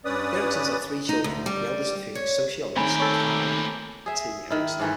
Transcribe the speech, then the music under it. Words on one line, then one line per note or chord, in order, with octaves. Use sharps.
The Eriksons had three children, the eldest of whom is sociologist Kai T. Erikson.
G2 C#4 B4 D5 D#6
D#4
D2
G3
C#5
A#2 D#3 A3 C4 G4 G#5 A#5 B5
A4 C#5
G#4 E5
D#3 E4
G#2 E3 A3